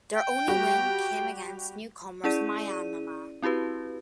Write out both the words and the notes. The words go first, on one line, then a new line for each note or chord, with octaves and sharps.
Their only win came against newcomers Myanmar.
G5
G3 F#4 G4
C#4 E4 G#4 D5 D#7
C4 E4 F#4 G4 B4